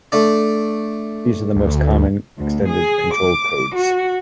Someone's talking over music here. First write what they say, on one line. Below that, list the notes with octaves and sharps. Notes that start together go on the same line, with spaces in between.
These are the most common extended control codes.
A3 D4 D5
D2
D2
G#4
D6
F#4